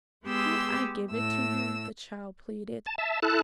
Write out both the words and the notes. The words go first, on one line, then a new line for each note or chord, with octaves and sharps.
'Can't I give it to you?' the child pleaded.
G#3 B3 G4 G#4 C6 E6
A2 E6
A5
E5 A5
E4 A4 A5 F#6